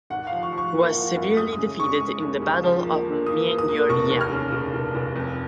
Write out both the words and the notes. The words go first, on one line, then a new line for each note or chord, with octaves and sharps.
He was severely defeated in the Battle of Myeongryang.
G#1 F#5
F5
F3
C#6
F3
C#6
A#3
F3
F#2
G#3 D#6
D#6
C#3
C#3 C#6 D#6
G#3
D#2
C#3
F3
A#3
A#3
A#3 D#6
A#3
D#6
A#3
F1 C#6
D#2
F6
C#3
F1
F1
F1
F2